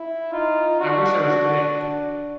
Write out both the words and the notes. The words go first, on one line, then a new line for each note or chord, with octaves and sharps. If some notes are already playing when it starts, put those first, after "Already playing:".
I wish I was dead!
Already playing: E4
D#4 F4
D4 F#4
F#4